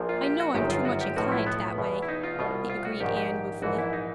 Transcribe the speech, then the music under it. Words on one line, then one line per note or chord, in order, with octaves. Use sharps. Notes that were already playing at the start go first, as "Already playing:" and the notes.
"I know I'm too much inclined that, way" agreed Anne ruefully.
Already playing: A#1 A#2 F3
F4
G4
F#4
G1 F#2 D#3 G4
F4
F#4
G4
B1 A2 F3 F#4
E4
B3
E2 B2
E4
D#4
F4
C2 B2 F4
F4
F#4
A#1 G#2 D#3 G4
G4
A#1 G#2 E3 F#4
E4
D#4